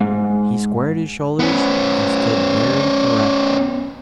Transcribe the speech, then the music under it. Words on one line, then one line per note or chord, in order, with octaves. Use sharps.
He squared his shoulders and stood very erect.
G#2
B3 C#4